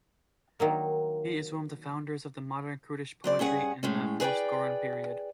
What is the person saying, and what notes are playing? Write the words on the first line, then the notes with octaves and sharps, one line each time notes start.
He is one of the founders of modern Kurdish poetry in the post-Goran period.
D#3 F#3 A#3
F#3 C4 D5
G2 C#4 G#4 F#5
A2 G#3 C#4
G#4 B4 C5 D5 G5